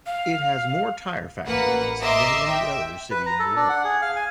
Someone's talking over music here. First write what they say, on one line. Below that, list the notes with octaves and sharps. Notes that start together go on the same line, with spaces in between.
It has more tire factories than any other city in the world.
F5
A1 A#3 B4 F#5
D#5 E5 A#5 C6 D6
E5 G5
B4
A#5
A4
D4
F#5
G#4
F5
G#5